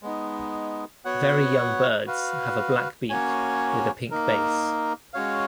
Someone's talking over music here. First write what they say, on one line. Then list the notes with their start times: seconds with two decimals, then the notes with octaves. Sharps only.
Very young birds have a black beak with a pink base.
0.03 G#3 B3 D#4
1.05 B3 F#4 C#5 F#5
2.07 F#4 B4 F5
3.10 A#3 C#4 F#4 C#5 G#5
4.11 A#3 D#4 A#4
5.14 G#3 C#4 F#4 C#5 F5